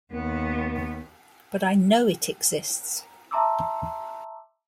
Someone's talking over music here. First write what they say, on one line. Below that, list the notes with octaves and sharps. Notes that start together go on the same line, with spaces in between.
But I know it exists.
D#2 B3
E5 A5 A#5 C6 D6 E6